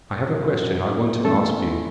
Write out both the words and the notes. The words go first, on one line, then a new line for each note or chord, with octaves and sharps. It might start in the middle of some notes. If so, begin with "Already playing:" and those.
'I have a question I want to ask you.'
F#2
E3 A3 B3 C#4 A4